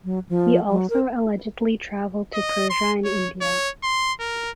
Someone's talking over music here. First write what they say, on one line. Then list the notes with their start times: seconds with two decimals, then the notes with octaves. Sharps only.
He also allegedly travelled to Persia and India.
0.04 F#3
0.29 F3
0.70 F#3
0.90 A#4
2.34 D#5
2.70 C6
3.05 C#5
3.41 C#5
3.83 C6
4.20 A#4